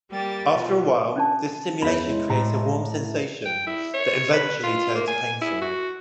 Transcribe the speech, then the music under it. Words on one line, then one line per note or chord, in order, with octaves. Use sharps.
After a while, this stimulation creates a warm sensation that eventually turns painful.
G3 A#3 G4 A6
B2 F3
C#4 D4 A5
E2 C#5 F5 B5
G#3 E4
A2 A#5
G5
E4
C#5
B4
F4
A#3
G#5
E4
F#4